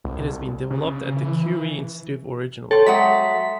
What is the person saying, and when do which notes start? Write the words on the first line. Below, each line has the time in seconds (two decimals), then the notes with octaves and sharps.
It has been developed at the Curie institute originally.
0.04 C2
0.70 C#3
1.16 E3
2.71 A4 C#5 G5 C6
2.87 F#3 G#3 E5 F#5 A#5 C6 B6